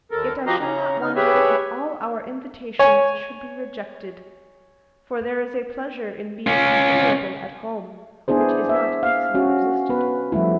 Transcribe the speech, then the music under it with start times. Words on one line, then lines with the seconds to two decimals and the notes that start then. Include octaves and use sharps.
Yet I shall not wonder if all our invitations should be rejected: for there is a pleasure in being considerable at home, which is not easily resisted.
0.11 D#2 A4 A#4
0.47 F3 F#4 G4 D#5 A#5 C6
0.61 C#3 C#4 A#5
1.02 C#3 D#4 F6
1.16 G4 G#4 B4 C#5 E5
2.79 C#5 G#5
6.47 C#4 F4
8.28 B3 D4 E4 G#4 C5
8.69 E5
9.03 F5
9.35 C#4 F#4
9.89 B3 B4
10.32 F3 G3 A3 E4